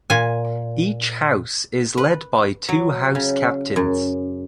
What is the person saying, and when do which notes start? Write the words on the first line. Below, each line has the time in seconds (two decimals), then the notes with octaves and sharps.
Each house is led by two house captains.
0.10 A#2 G#5
1.98 B4
2.69 F#3
3.15 C#3
3.76 F#2